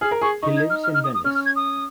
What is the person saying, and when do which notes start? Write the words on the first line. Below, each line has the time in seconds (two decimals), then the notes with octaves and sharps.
He lives in Venice.
0.01 G#4 F6
0.11 A#4
0.21 G#4 C#6
0.42 D#4 C#6
0.56 G#6
0.70 F6
0.83 F6
0.94 F6
1.04 D#6
1.14 D#6
1.24 C#4 F6
1.35 F6
1.45 G#6
1.56 D#6